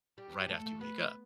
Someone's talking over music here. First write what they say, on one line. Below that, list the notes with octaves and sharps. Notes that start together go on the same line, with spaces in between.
right after you wake up,
G3 G4
A3 A4
A3
B3 B4